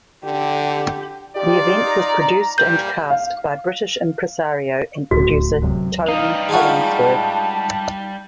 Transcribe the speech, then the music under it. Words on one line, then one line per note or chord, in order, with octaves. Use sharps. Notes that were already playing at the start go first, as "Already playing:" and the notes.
The event was produced and cast by British impresario and producer Tony Hollingsworth.
D3 G4
D#4 F4 G4 D5
A#5
A#2 G3 G6
F5
D1 C#2 A2 F#4
F#2 C3
G3 D#4 F5
G#3 F4 F#4 A5